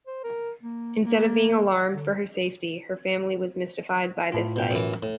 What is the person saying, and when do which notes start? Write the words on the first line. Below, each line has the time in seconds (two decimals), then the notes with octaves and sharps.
Instead of being alarmed for her safety, her family was mystified by this sight.
0.07 C5
0.24 A#4
0.63 A#3
1.05 A#3
1.93 D3
4.32 A2 F4
4.56 B2 G5
4.71 F#2 E3
5.03 A2